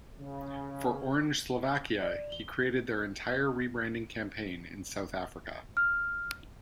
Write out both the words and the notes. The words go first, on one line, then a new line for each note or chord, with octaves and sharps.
For Orange Slovakia, he created their entire re-branding campaign in South Africa.
C#3
D5
G7
F6